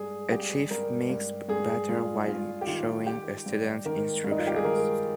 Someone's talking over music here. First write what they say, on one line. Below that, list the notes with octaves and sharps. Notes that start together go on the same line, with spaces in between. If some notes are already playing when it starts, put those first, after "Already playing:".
A chef mixes batter while showing a student instructions.
Already playing: G2 G#4
G2 G4
G2 A#4
G2
G2 G#4
G2 F4
G2 F4
G4
D#3 F4
D#3 G4
G2
D#3 A#4
G2
D#4
F4
G4
G#4
D#3 A#4